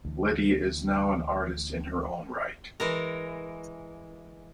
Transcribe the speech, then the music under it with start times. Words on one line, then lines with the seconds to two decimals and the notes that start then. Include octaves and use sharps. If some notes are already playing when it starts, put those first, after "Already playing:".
Lydia is now an artist in her own right.
0.05 D2 E3
2.80 E3 G#3 A#4